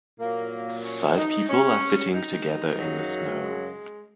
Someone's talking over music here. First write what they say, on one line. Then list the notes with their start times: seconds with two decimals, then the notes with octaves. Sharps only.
Five people are sitting together in the snow.
0.20 A#2 F#3 A#3
0.84 C#4
1.17 D#4
1.49 C#4
2.14 D#4
2.79 F#2 C#3 F#3
3.44 G#3